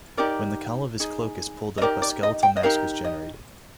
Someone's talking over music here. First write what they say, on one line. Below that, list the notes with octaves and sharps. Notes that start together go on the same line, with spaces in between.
When the cowl of his cloak is pulled up a skeletal mask is generated.
D#4 G4 A#4 D5
D#4 G#4
D#5
D#4 G4 A#4 D5
D5
D#5
G5
D#5
D#4 G4 A#4 F5
D#5